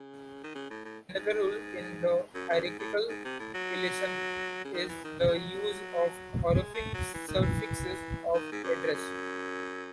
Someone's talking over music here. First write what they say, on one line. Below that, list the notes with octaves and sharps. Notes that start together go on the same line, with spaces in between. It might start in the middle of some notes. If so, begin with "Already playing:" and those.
Another rule in the hierarchical relation is the use of honorific suffixes of address.
Already playing: C#3
D#3
C#3
A2
A2
G#2
F#2
F#2
G#2
A2
G#2
C3
A2
F#3
C#3
D#3
E3
D#3
C#3
G#3
F#3
G#3
A3
F#3
E3
D#3
E3
D#3
G#2
F#2
F#2